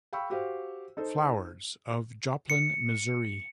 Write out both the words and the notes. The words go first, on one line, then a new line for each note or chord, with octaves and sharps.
Flowers, of Joplin, Missouri.
F5 G5 B5 C#6 E6
F#4 G4 C5 F5
D#4 A4 C5
C#7